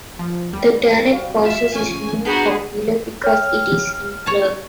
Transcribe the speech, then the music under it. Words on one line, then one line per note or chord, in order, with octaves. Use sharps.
The direct process is more popular because it is simpler.
F3
D#2 G3
F#4 F5
F4 E5
A1 C#4 G#5 C#6
B3 D4 F#4 G#4 A#5 G6
C#5 G5 F6
C#5 A5